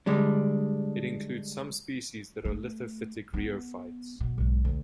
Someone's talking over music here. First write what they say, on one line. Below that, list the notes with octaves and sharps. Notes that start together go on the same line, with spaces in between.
It includes some species that are lithophytic rheophytes.
D3 G3 G#3 D4
A3
B3
B2
B1 G#2
D2